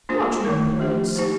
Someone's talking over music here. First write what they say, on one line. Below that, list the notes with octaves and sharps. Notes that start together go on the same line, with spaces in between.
"What reports?"
A#3 D4 F4 C5
D#3 A3 D#4 A#4
F3 A3 D4 G4
A#3 D#4 G4 C5